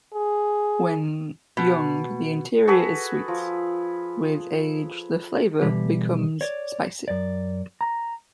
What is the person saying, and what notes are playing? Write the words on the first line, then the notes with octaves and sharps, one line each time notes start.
When young, the interior is sweet, with age the flavor becomes spicy.
G#4
B2
F#4 G#4 A4 B4
F3
B2 D3 E3 G3
C#5 D5
F#2 D5
A#5